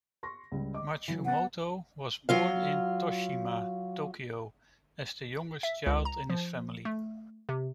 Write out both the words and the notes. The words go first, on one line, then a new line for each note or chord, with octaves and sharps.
Matsumoto was born in Toshima, Tokyo, as the youngest child in his family.
C6 C#6 A#6
C#2 G3
D#5 D6
E3 F#3
B3 F#5 A6
F#3 F4 F5
E5
C#2
A#5
F3
A3
C3